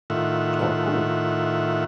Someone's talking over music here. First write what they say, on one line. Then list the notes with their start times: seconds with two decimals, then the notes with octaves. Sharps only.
Oh, cool.
0.10 A2 D#3 F4 E5 F#5